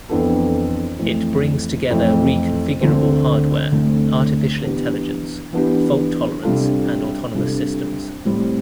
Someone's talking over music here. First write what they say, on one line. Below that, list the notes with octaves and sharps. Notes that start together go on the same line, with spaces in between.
It brings together reconfigurable hardware, artificial intelligence, fault tolerance and autonomous systems.
F2 E3 B3 D4 A4
F2 E3 A3
F2 E3 A3
D2 D3 A3 C4
D2 D3 A3 C4
E3 B3 D4 G4
E3 B3 D4 G4
C3 G3 D4 F4 A4
C3 G3 D4 F4 A4
A2 G3 C4